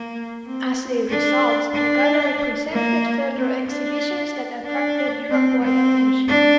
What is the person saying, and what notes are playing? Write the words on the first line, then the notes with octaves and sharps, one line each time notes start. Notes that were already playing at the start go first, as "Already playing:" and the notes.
As a result, the gallery presented further exhibitions that attracted Europe-wide attention.
Already playing: A#3
C4
D4
D4
A#3
C4
D4
D4
C4
C4
D4